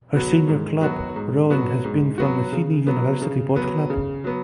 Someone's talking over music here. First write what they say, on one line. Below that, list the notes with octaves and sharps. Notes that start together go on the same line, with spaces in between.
Her senior club rowing has been from the Sydney University Boat Club.
F#3 B3 F#4
G#2
F#3 B3 F#4
G#2
F#3 B3 F#4
G#2
F#3 B3 F#4
C#3
F#3 B3
C#3
F#3 B3
C#3
F#3 B3